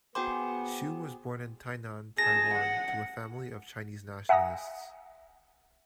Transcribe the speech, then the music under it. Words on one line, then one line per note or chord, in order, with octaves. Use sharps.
Xu was born in Tainan, Taiwan to a family of Chinese nationalists.
B3 F#4 G#4 C5 G5 D6
G#4 A5 A#6
F#5
E5 F#5 G#5 A#5 D#6 A#6